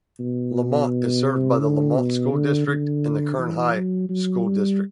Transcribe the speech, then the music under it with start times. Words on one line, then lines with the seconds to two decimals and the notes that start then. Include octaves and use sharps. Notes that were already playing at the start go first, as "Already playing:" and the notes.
Lamont is served by the Lamont School District and the Kern High school district.
0.20 B2
1.26 C3
1.61 D3
1.97 B2
2.32 D3
2.68 D3
3.39 E3
3.74 F#3
4.09 F#3
4.45 G3